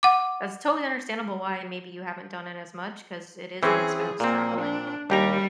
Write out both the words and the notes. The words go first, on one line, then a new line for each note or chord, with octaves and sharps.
that's totally understandable why maybe you haven't done it as much 'cause it is an expense traveling.
F#5 D6
E3 C4 C#4 G#4
A#2 A#3 C4
D4
D#2 G3 G4 A#5